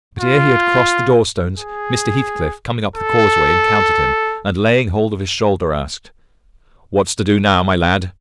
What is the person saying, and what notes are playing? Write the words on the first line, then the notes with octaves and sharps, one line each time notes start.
But ere he had crossed the door-stones, Mr. Heathcliff, coming up the causeway, encountered him, and laying hold of his shoulder asked,--'What's to do now, my lad?'
F4
G#4
A4